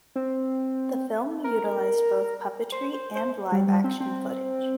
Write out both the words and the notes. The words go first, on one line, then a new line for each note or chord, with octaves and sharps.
The film utilized both puppetry and live-action footage.
C4
A#4
C5
C5
C5
G3
G3
C4
C4